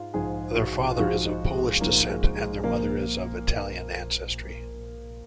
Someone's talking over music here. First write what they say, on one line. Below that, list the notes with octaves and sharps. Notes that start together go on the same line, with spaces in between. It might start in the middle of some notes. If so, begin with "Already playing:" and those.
Their father is of Polish descent and their mother is of Italian ancestry.
Already playing: G#2 F4
G#2 F3 G#4
F#4
F4
G#2 F3 F#4
D#4
G#3
G#2 F3 A#3
G#3
G#3
G#3
A#2 F3 A#3